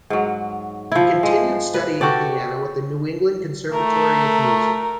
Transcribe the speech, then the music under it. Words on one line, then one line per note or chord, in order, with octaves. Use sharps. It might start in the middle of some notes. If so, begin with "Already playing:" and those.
He continued studying piano at the New England Conservatory of Music.
G#2 F#3
F3 E4
F3 G#3
B4
F#4 G4 A4 D5
A3 A#4